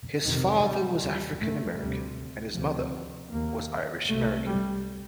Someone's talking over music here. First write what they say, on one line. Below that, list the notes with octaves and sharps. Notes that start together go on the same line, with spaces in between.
His father was African American and his mother was Irish American.
F2 C3 D#3
G3
D#2 G3
A3
D2 C3 G3
D2 C3 F3
D#2 A#3
C2 C3 A3
G3